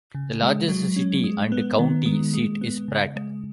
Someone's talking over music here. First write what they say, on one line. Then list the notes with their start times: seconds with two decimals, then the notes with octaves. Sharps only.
The largest city and county seat is Pratt.
0.15 C#3
0.42 G#3
0.69 F#3
0.96 C#4
1.24 G#3
1.52 B3
1.79 D#3
2.06 G#3
2.34 G#3
2.61 B3
2.88 C#3
3.16 G#3